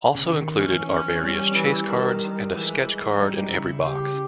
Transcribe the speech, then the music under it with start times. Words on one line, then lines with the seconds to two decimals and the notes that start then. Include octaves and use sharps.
Also included are various chase cards and a sketch card in every box.
0.15 C#3
0.25 D#3
0.57 E3 C#4
0.90 C#4
1.23 G3 C#4
1.55 E3
1.87 D#3
2.52 E3 G#3
3.17 G3 D#4
3.50 C#3 E4
3.83 G4